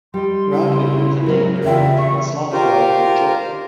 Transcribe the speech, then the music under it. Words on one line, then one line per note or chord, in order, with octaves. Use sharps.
"Radu" is a name derived from the Slavic word for "joy".
G3 D#5 C6
C#3 E4
C#5
G#2 F#3 A#4
C3 E3 F4 E5 G5
C#6
F4 G4 A#4 C5